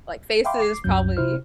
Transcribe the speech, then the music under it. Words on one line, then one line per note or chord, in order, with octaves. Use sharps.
like faces probably
E5 F5 G5 B5 C6 D6
D6 C7
C2 F#2 F#3 G6
C3 E4 C5 F6